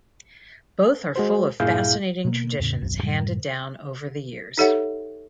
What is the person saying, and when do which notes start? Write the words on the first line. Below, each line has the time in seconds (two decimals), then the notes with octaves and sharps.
Both are full of fascinating traditions handed down over the years.
1.16 G#3 F#4 C5
1.60 G2 A#2 E4 G#4 F5 G6
2.25 B2 A#3
2.59 E2 A2 C#3
2.81 D#1 B1 F#2
3.03 F#2 A2 C3 G3
4.58 D#4 G4 A4 C#5 E5 F#5